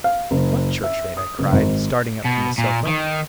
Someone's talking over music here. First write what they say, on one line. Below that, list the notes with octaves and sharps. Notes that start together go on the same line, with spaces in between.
"What church-rate?" I cried, starting up from the sofa.
F5
F#1
E5
D#6
F#1
G#1
B2
A#2
D#3